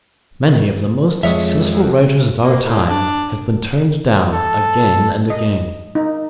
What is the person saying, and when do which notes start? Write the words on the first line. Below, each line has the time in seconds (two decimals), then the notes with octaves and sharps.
Many of the most successful writers of our time have been turned down again and again.
1.23 F2 F3 G#3 C#5 E5
2.39 A#3
2.63 A2
2.89 D4
4.33 A4
5.30 D#5
5.95 D#4